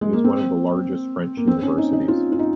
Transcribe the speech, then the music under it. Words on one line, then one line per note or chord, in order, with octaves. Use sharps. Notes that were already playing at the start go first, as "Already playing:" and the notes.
It is one of the largest French universities.
G#3
A#3
C4
A#3
C4
C#4
D#4
D#4
F4
F4
D#4